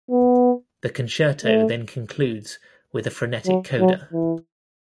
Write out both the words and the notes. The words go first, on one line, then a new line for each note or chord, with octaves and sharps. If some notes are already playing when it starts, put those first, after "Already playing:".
The concerto then concludes with a frenetic coda.
B3
A3
F#3
F#3
E3